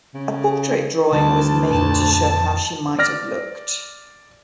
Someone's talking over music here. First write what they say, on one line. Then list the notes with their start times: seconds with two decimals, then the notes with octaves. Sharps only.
A portrait drawing was made to show how she might have looked.
0.15 C#3
1.12 D2 D3 G3 A5
1.70 F2 A#2 A5
2.99 D5 F6 A#6